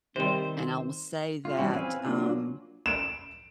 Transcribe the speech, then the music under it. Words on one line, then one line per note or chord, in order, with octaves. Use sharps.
And I will say that, um
C3 D#3 G3 C4 C5
F4
E3 G3 C#4 E4 F#4
C4 B4 F5 G#5
F#3 A#3 D4 F4
D7 E7